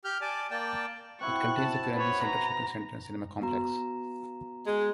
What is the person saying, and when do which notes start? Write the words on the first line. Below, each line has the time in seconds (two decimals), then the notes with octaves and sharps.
It contains the Currambine Central shopping centre and cinema complex.
0.05 G4 F6 G6
0.21 D5 G#5 A5 D6
0.51 A#3 D5 G5 A5
1.21 C4 E4 F#4 C#6 F#6
1.59 A5
1.94 B3 B4 C#5
2.24 A#5
3.42 B3 F#4 A#5
4.66 G#3